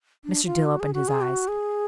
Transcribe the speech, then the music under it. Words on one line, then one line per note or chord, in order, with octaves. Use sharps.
Mr. Dill opened his eyes.
D4
F4
F#4
G#4
F#4
G#4
F#4
G#4